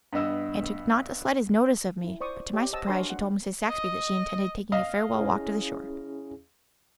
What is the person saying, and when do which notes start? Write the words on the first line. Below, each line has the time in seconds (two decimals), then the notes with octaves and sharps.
Aunt took not the slightest notice of me, but to my surprise she told Mrs. Saxby that she intended taking a farewell walk to the shore.
0.13 G2 B3 D#5 E6
2.04 E4
2.21 C5 D5 C#6 D#6
2.53 G4 C#5 D#5
2.73 C5 D#5 F#5 A5 E6
2.87 D4 F#4 A#4 C#5 G#5 C6
3.10 F#5
3.69 D#5
4.72 D#5 F5
5.15 C#4 E4 G#4